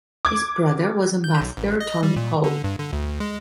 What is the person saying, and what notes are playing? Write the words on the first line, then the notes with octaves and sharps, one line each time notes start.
His brother was Ambassador Tony Hall.
D6 G#6
G6
B1
A1
D#5
G3
A#2
D3
G2
D3
D2
G#3